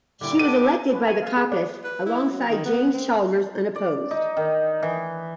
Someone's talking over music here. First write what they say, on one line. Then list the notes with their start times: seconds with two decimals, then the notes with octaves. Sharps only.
She was elected by the caucus alongside Jim Chalmers unopposed.
0.21 A#2 D3 G3 E4 D6
0.39 B3 D4 D#4 G4 A4 B4 D#7
0.93 B4
1.07 G#5
1.22 F5
1.37 G#4
1.52 D5
1.84 B4
2.06 E4
2.31 F#3
2.49 D#3
2.65 B3
2.94 C4
3.76 D5
4.11 D#4
4.37 D#3
4.83 E3